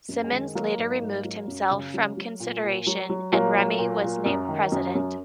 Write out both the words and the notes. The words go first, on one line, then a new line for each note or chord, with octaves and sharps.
Simmons later removed himself from consideration and Remy was named president.
F#2
G#3
D#3
F#3 A#3
G#2
G#2
F#3
F#2
C#3
F#3
F#3
A#2
A#2
F#3
F#3
A#2 F#3 A#3
A#2
A#2
A#2
F#2
D#3
F#2
F#2